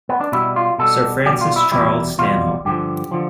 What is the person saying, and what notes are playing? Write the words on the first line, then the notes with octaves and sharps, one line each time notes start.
Sir Francis Charles Stanhope.
B3
D4
B2 G3 E4
F4
B2 G3 A4
B2 G3 G4
F4
E4
E2 B2 G3 E4
E2 B2 G3 F4
G2 D3 F3 G4
D3 F3